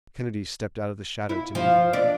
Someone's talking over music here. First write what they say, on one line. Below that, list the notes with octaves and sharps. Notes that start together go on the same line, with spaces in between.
Kennedy stepped out of the shadow to meet him.
E4
F3
D4